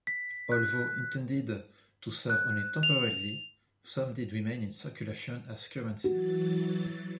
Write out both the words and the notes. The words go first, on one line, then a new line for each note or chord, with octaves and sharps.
Although intended to serve only temporarily, some did remain in circulation as currency.
B6
F#6
F#6
F7
E3 F#3 F#4 A6